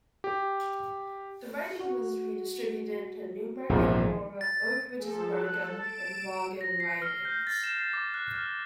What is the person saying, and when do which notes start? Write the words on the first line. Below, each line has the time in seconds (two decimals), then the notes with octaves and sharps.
The riding was redistributed into Newmarket-Aurora, Oak Ridges-Markham, and Vaughan ridings.
0.24 G4
1.80 F#4
3.69 A#1 E2 G#2 C3 D#3 F3
4.41 A6
4.99 F3 G#4 A4
5.41 A4 F#6
5.79 A6 D7 E7
6.61 A#6
6.80 C7
7.02 F6
7.25 G6
7.47 A6
7.64 E7
7.80 C7
7.93 D6
8.14 F#6
8.34 F6